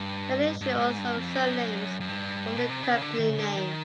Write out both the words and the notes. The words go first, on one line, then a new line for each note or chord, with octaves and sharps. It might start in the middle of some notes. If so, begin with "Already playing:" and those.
The initials of their surnames form the company name.
Already playing: G2
G2
G#2
G2
F2
F#2
F#2
G2
B2
C3
C#3
D3
D#3
C#3
D3
D#3